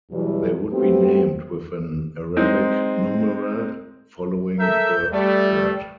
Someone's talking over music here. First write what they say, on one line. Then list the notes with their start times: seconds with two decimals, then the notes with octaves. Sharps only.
They would be named with an Arabic numeral following the word.
0.11 E2 B2 E3 F#3 G3
0.71 A3 B3 C4 F#4 G4
2.37 G#3 C4 D#4
4.59 A4 A#4 E5 G6
5.13 G3 A3 D5